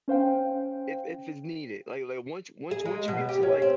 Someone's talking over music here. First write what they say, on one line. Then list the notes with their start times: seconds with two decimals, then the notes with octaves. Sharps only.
if if it's needed, like like, once once once you get to, like,
0.08 C#4 C5 F5 G5
2.71 G#4
2.85 G#3
3.08 B2
3.29 G4
3.43 C#4
3.62 C4